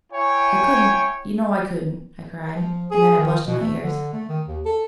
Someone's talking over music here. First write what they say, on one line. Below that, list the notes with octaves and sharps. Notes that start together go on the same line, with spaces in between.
"I couldn't--you know I couldn't," I cried--and then I blushed to my ears.
E4 C#5 G5 G#5
F3
G#4
D#3
B2
A3
D3
A3
D#3
D#2
A4